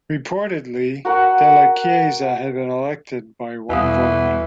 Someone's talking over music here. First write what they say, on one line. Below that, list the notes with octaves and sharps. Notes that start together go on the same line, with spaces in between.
Reportedly Della Chiesa had been elected by one vote.
F#4 A#4 F#5
E2 B2 E3 G3 B3 F5 D#6